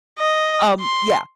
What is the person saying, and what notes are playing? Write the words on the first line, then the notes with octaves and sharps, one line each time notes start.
um Yeah,
D#5
C6